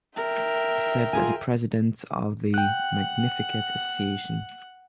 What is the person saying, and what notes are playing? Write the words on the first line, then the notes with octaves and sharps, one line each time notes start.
He served as president of the Magnificat Association.
A#4 E5 G5
F4 G#4 G#5
F#5 G5 F#6